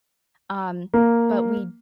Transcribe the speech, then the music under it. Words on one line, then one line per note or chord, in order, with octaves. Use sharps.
um, but we
A#3